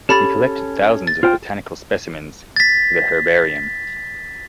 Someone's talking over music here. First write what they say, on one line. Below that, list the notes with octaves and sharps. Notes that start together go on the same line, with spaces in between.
He collected thousands of botanical specimens for the Herbarium.
C#4 G4 A4 B5 A6
A6
F4 C5 G5
A6 B6